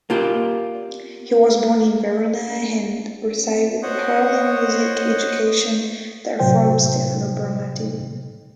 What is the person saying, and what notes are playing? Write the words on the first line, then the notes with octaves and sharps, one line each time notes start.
He was born in Verona and received early music education there from Stefano Bernardi.
A#3 F4 G4
C5 C#5 D#5 F#5
A2 C3 F#3 C5 G5